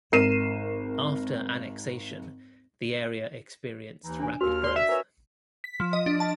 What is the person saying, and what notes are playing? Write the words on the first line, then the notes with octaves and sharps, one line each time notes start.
After annexation, the area experienced rapid growth.
G#1 A#4 C7 D#7 E7
D#2 E3 D#4
D4 G#5
D#2 F#4 A#4 F6
D5 C6
E5
A#4 B4 C#5 G#5 A#5
B6
F3
D#5
D4
A5